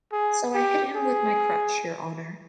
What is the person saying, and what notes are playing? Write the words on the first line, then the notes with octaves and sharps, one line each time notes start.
So I hit him with my crutch, your Honour.
G#4
G4
G#4